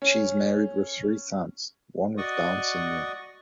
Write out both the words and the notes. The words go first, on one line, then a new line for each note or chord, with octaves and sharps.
She is married with three sons, one with Down Syndrome.
C#4
F#4 D5 D#5 C#6 D#6